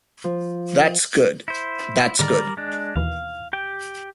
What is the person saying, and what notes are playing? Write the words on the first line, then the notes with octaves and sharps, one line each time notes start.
That's good, that's good.
F3
E4 C5
G#2 D3 D#3 G3 A#4 D5
G#3 D4
D#2 B2 E3 F5
G4 G5